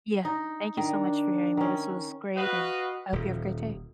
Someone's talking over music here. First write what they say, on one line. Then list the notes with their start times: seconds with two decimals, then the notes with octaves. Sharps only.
Yeah. Thank you so much for hearing me. This was great, and I hope you have a great day.
0.25 D#4
0.77 D#3 D4
1.57 D#3 C#4
2.37 F#4 B4 D#5 F5
3.13 D#1